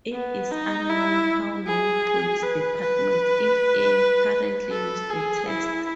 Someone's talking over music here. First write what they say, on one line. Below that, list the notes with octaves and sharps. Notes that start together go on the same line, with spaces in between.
It is unknown how many police departments, if any, currently use the test.
B3
D#4
E4
G#4
B4
B4
A4
G#4
E4